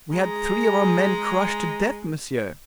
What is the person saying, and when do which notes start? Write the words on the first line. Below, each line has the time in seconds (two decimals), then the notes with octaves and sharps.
"We had three of our men crushed to death, monsieur!"
0.12 G#3 G#4 A#5